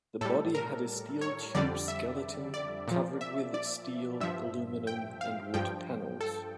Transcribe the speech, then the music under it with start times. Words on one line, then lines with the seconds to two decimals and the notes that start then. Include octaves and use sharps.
The body had a steel tubes skeleton, covered with steel, aluminum and wood panels.
0.21 A2 G3 A4
0.55 A#4
1.21 C#5
1.55 F2 D3 G3 D5
1.88 E5
2.54 D5
2.88 A#2 F3
3.21 E5
3.54 D5
4.20 G2 F3 E5
4.87 G5
5.21 F5
5.54 G2 F3 G5
6.21 A4